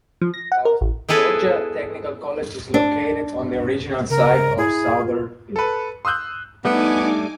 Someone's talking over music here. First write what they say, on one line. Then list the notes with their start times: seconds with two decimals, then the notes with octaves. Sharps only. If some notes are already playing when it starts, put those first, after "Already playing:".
South Georgia Technical College is located on the original site of Souther Field.
0.21 F3
0.34 A#6
0.52 F#5
0.65 A#4
0.81 A1
1.09 B3 E4 G#4 A4 B4
2.74 D4
4.10 C#3 A#4
4.58 E4 G#4
4.92 F4
5.56 A4 B4
6.05 C6 D#6 E6 F#6 G6
6.65 G3 A3 B3 D4 D#4 G#5 D6